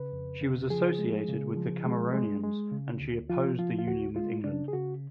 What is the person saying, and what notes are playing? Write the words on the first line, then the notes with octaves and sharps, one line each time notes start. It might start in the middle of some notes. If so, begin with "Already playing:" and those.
She was associated with the Cameronians and she opposed the union with England.
Already playing: C#3 B4
F2
C#3
F3 G#4
G#3
C#3
F3
G#3
G#3
G#3
C#3
D2
F3 F4
F3 F4
F4
D2 F#4
G#3 F4
C#3 D4
G#4
C#3 F#4